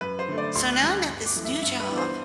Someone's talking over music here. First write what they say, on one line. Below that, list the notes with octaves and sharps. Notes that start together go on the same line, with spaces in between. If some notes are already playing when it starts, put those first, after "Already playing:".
So now I'm at this new job,
F#2 B4
C5
D3 A3
D5
D2 C6
F#6
D3 G3 D4
F#6
G1
D6
F#2 E3 A3
E5
G2 E5
B4
E3 B3 D4
C5